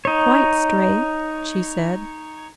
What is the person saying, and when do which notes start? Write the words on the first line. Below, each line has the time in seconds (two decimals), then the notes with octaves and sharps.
"Quite straight," she said.
0.05 D#4 C#5